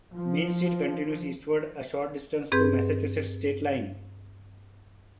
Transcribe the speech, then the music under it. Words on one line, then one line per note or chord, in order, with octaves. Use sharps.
Main Street continues eastward a short distance to the Massachusetts state line.
F3
G2 C4 G#4 B4 C6 G6